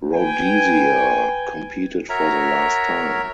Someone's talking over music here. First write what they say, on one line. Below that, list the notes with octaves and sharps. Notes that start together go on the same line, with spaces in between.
Rhodesia competed for the last time.
B4 G5 G#5
F#4 A#4 C#5 E5 A#5